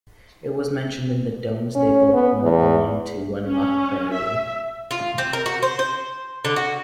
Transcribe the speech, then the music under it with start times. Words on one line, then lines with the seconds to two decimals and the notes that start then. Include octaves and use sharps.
It was mentioned in the Domesday Book, when it belonged to Wenlock Priory.
1.75 C#4
2.13 B3
2.42 E2
3.46 C#4
4.13 E5
4.91 F4
5.18 C4
5.33 A#4
5.46 F#4
5.63 C5
5.79 C5
6.45 D3
6.56 F#4